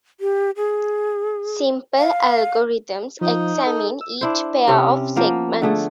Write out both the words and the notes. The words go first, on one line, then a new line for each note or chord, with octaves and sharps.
Simple algorithms examine each pair of segments.
G4
G#4
F5
F3 D#4
A4
E6
D4 E4 C5
C3 C4 C#4
F3 A#3 B3
D3 A3 G#4